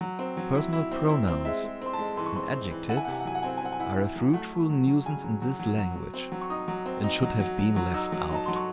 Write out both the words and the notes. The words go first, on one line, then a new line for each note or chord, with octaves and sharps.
Personal pronouns and adjectives are a fruitful nuisance in this language, and should have been left out.
F#3
C4
F#3
E4
E4
C4
E4
C4
G#3 E5
G#3
C4 C6
A5
G#3
E3 C6
C#6
C4 C6
C4
E3
E4 F#5
G#5
F#5
C3 G#5
F#5
F#3 G#5
F#5
C4 G#5
F#5
G#5
C4 F#5
G#5
E4 F#5
E4
F#3
A3 F#5
A3
F#3
F#3
C#3 G#5
F#3
F#3
F#3
F#3
F#3
C4
F#3
C#6
D#4 D#6
F#3
C4
D#4
F#3
F#3
F#3
F#3
D#4 E6
F#3
D#4 A5
F#3 C6
C#6